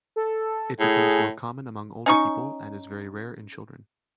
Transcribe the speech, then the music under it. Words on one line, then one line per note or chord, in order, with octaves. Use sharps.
It becomes more common among older people and is very rare in children.
A4
A2 G#4
C#4 D#4 C#6